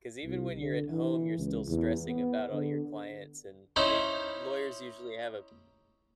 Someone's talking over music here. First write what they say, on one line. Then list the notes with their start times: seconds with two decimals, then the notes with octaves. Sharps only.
'cause even when you're at home, you're still stressing about all your clients, and they lawyers usually have a
0.24 C2
0.58 D3
0.90 E3
1.39 C#2
1.69 E2
2.08 B3
2.52 D3
3.76 C#4 D#4 E4 C5